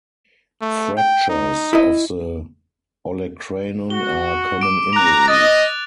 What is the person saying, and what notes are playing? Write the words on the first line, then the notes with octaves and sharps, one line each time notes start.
Fractures of the olecranon are common injuries.
A3
G5
D#4
E4 D#5
F#4 G7
D6 D7
A#5 F#6 F7
D#5 A6